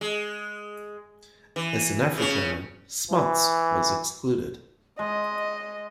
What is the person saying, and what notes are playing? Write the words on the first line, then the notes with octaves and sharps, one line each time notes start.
As an Afrikaner, Smuts was excluded.
G#3
E3
C#3 C#4
E3
G#3 D#5